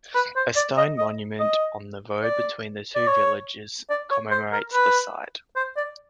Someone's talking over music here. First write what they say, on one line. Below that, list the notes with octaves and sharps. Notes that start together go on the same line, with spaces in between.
A stone monument on the road between the two villages commemorates the site.
B4
C5
D5
D#5
D#5
D#5
D5
D5
C#5
D5
C#5
C5
A#4
B4
C5
D5